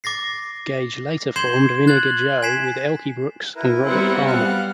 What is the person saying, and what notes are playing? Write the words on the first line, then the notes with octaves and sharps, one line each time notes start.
Gage later formed Vinegar Joe with Elkie Brooks and Robert Palmer.
D6 A6 A#6 C7
C6 G6 G#6 C7 E7 G7
F#6 G#6 A6 F#7
G#5 G#6 B6 C7 E7
E4 A#4 B4
F#3 G3 B3 C4 F#5
F5 F6 F#6